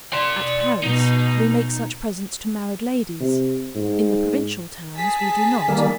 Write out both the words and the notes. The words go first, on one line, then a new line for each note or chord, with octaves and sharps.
At Paris, we make such presents to married ladies; in the provincial towns, we do not.
D5 C6
B2 D#4
C3
G#2
G#4 G#5 A5 B6
D#3 G3 A#3